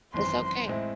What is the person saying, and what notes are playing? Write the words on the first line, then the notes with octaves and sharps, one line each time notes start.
It's okay.
G#1 F#2 E3 C4 C6
A2 G#3 C4 E4